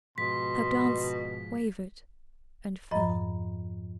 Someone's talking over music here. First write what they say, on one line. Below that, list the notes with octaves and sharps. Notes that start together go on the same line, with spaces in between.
Her glance wavered and fell.
G#2 B2 F3 C6 B6
F2 G#2 F3 D#5 A#5 B5